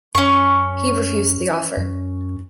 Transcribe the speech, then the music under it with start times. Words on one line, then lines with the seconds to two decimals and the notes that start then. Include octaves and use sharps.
He refused the offer.
0.15 F#2 C#4 C#6
1.77 F#2